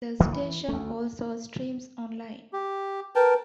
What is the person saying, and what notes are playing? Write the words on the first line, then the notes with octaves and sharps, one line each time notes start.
The station also streams on line.
C2 D#3 E3 A#3
E3
D2 A3
G4
A#4 B4 G5 A5